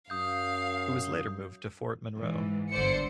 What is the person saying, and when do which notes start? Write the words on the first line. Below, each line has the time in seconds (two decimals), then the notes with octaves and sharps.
It was later moved to Fort Monroe.
0.10 F#2 F5 D#6 G6
2.18 G#2 E3
2.71 G1 D3 C5 D5 C#7